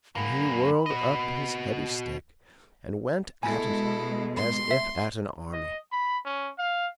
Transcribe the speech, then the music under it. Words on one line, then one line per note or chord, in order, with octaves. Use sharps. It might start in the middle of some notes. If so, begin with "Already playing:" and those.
And he whirled up his heavy stick and went at it as if at an army.
F#2 A#3 B5
F#4 D#5
B2 G#3 E4 A4 G#5
C6
E5
D#5
B5
C#4
F5